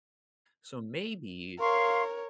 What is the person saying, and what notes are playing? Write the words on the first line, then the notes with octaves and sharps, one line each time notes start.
So maybe
A#4 C#5 F5 C6 C#6